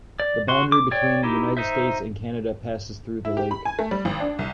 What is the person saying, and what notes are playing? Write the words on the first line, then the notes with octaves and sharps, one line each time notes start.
The boundary between the United States and Canada passes through the lake.
D5
F#4 C6
D6
C#5 D5 G5
D#4 E4 G4
D#4 C5 E5
E4
G4
B5
G#5
A3
G3
G#1
D4
C2